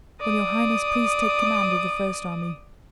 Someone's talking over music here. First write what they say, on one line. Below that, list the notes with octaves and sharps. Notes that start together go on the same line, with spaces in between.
"Will Your Highness please take command of the first army?"
D5 D#6